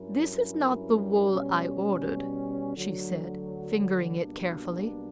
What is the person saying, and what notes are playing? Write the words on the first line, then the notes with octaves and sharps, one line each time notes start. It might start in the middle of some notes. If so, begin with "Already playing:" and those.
"This is not the wool I ordered," she said, fingering it carefully.
Already playing: G2 F#3 C#4 E4 A#4
B2 G3 C#4
D2 D3 F#3
B1 B2 G3 A#3 D4